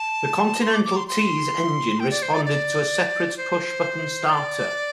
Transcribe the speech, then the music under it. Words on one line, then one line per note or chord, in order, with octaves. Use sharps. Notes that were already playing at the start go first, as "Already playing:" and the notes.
The Continental T's engine responded to a separate push-button starter.
Already playing: A5
C6
D6
D6
C6
C6
G5
D5
C5
D5
D5
C5
D5